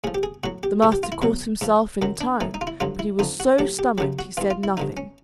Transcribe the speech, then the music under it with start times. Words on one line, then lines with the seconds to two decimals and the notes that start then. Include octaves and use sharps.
The master caught himself in time, but he was so stomached, he said nothing.
0.04 A2 F3 G#4
0.15 G4
0.23 G#4
0.44 A2 F#3 F#4
0.63 G4
0.82 G#2 F3 G#4
0.92 G4
1.03 F4
1.12 E4
1.22 E2 B2 F#3
1.61 G#2 F3
2.02 F#2 D#3 F#3
2.21 D4
2.41 A2 E3 D#4
2.54 D#4
2.61 F4
2.67 E4
2.80 G2 D3 F#3 F4
2.99 E4
3.19 F2 D3 F3 D#4
3.40 F#4
3.59 A2 F#3 G4
3.79 G4
3.98 F#2 C#3 F#3 G4
4.19 F#4
4.37 G2 E3 F4
4.50 F4
4.64 E4
4.77 G2 D3 F3 D#4
4.97 C#4